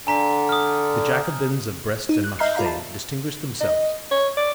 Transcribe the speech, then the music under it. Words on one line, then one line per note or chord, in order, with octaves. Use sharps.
The Jacobins of Brest and Marseilles distinguished themselves.
D3 G#5 A#5 B6
D#6 F6
D#4
F#6
D#5 E5 A#5 F6 G6 C7
F4 D5 F5 A#5 B5
A5
D#5
C#5
D5